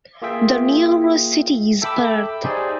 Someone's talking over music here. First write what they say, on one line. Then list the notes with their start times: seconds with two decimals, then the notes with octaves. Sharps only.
The nearest city is Perth.
0.22 A#3 F4 G#4 E5 G5
1.82 A4 E5 G5 B5 D6 E6
2.44 D#4 G4 G#4 C5 D5 G#5